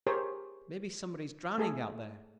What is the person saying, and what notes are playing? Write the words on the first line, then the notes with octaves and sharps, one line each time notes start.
Maybe somebody is drowning out there.
G4 G#4 A#4 C5 C#5
A3 G#4 A4